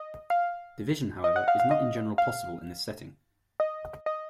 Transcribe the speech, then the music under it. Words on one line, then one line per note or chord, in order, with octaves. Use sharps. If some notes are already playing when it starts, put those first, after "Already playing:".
Division, however, is not in general possible in this setting.
Already playing: D#5
F5
D#5
F#5
F5
F5
D#5
F5
D#5
D#5